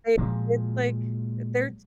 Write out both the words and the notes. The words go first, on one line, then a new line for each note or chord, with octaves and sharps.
they it's like, uh, they're, t
A#2 F3 F#3 G#3